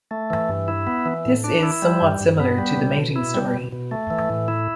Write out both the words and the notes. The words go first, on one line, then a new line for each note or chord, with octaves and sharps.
This is somewhat similar to the mating story.
A3
E3
G2
E4
B3
E3
A2
D4
E4
G3
G2
G2
B3
G3
B2
B2
E4
G3
B2
B2
A3
E3
A2
E4